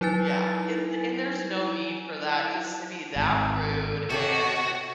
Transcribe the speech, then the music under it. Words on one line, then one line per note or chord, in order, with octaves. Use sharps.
Yeah, it the and there's no need for that just to be that rude and
F#3 D#4 E4 B4 G#5 A6
G#1
C3 F#4 A4 C#5